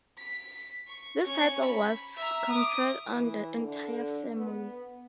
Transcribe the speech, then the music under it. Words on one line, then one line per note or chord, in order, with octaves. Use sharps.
This title was conferred on "the entire family".
B6
C#6
C#4 C#6
B5
E5 A#5
D6 D#6
E3
D3
B3